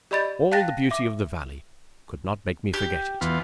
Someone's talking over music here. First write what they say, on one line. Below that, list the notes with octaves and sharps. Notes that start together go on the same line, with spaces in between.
All the beauty of the valley could not make me forget it.
G4 D5 D#5 B5 G6 A6
F5 G5 A5 F#6 A6 A#6
E5 D6
G4
E2 B3 F4